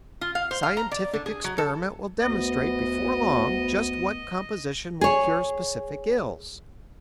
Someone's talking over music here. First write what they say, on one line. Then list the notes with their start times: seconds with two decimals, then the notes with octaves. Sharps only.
Scientific experiment will demonstrate before long just what composition will cure specific ills.
0.21 F4
0.35 F5
0.51 C5
0.63 F5
0.77 A#5
0.92 D5
1.13 D3
1.26 G#4
1.44 F#3
1.58 A4
2.20 D2 B3 D#5
5.01 G#4 C#5